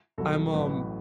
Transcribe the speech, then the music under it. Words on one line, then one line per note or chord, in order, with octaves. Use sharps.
I'm, um
C2 B2 F#3 A4
A1 A2 F#3 B4